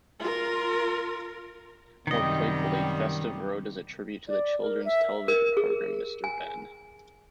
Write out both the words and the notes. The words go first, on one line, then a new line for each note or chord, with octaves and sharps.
More playfully, "Festive Road" is a tribute to the children's television programme Mr Benn.
F4 A#4
F#2 C3 D#3 G3 D#5
D5
A#4
E5
A#4
G#4
G#5